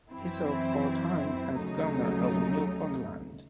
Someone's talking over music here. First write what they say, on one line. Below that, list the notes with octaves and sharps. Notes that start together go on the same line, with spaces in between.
He served for a time as Governor of Newfoundland.
F#2 E3 C4 E4
D#2 C#3 F#3 A3 D#4